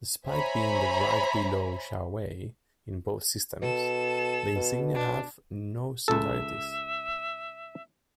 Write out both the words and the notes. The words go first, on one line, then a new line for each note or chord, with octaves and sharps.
Despite being the rank below Shaowei in both systems, the insignia have no similarities.
C5 C#5 E5 G#5 A#5 B5
B2 A4 E7
B2
D4
C#2 A4 E5